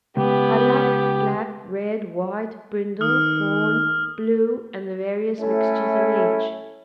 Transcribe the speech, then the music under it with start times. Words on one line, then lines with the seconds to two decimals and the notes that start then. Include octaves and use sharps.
COLOUR--Black, red, white, brindle, fawn, blue, and the various mixtures of each.
0.17 C#2 B3 G4
3.01 D#3 D#6 F6
5.39 A2 A3 C#4 E4